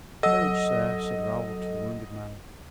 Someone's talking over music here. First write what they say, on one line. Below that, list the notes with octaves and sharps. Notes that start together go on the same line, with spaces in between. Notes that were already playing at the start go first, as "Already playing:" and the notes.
"Courage, sir," said Raoul to the wounded man.
F#3 A4 D#5 F#5 E6